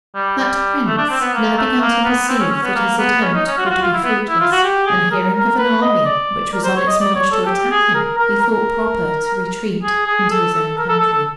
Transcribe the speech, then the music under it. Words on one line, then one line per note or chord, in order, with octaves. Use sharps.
That prince now began to perceive that his attempt would be fruitless; and hearing of an army which was on its march to attack him, he thought proper to retreat into his own country.
G3
G3
A3
D4
C4
B3
A#3
A3
A#3
B3
C4
C#4
C#4
B3
A#3
B3
C#4
D#4
C#4
F#4
F4
F#4
F4
E4
B3
E4
F4
F#4
G4
G#4
A#4
A#4
B4
D#5
D5
A#4
C5
C#5
D#5
D5
C#5
A4
G4
G#4
A#4
A#4
A#4
G#4
G#4
A4
A4
A#4
A4
A4
A4